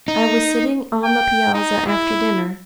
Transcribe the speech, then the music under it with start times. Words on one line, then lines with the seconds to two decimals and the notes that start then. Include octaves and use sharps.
I was sitting on the piazza after dinner.
0.08 D#4
1.04 G5
1.54 D#4
1.87 E4